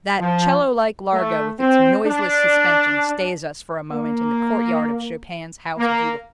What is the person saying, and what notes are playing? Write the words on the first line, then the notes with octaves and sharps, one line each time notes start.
That 'cello-like largo with its noiseless suspension stays us for a moment in the courtyard of Chopin's House Beautiful.
F3
A3
C4
D4
A#3
A#3